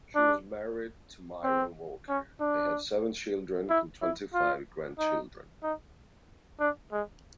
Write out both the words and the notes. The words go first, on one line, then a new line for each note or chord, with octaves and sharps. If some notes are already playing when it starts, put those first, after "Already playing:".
She was married to Myron Walker; they had seven children and twenty-five grandchildren.
D4
C4
C#4
D4
E4
E4
F4
D#4
D#4
D4
G#3